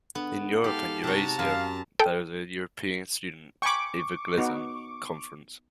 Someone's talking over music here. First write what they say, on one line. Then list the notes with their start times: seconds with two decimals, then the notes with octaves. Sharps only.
In Europe and Eurasia, there is the European Student Evangelism Conference.
0.15 D3 B3
0.64 G#2 G4 A4 F5
1.04 C3 F#4 A5 A#5
1.39 F#2 F5
1.99 A4 G5
3.62 G5 G#5 B5 C#6 D6
4.38 B3 D#4 F#4